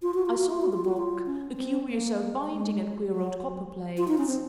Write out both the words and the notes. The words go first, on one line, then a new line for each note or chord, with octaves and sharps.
I saw the book--a curious old binding and queer old copper-plates.
F4
F#4
F4
F#4
F4
F#4
F4
F#4
F4
C#4
C#4
C4
A#3
G#3
F#3
F4
D#4
C#4
C4